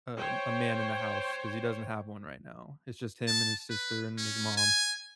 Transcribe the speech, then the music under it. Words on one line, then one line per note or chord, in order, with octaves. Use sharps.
a a man in the house 'cause he doesn't have one right now. It's just him and his sister and his mom.
C5 C#5 G5
A5
B4
C#4
G#5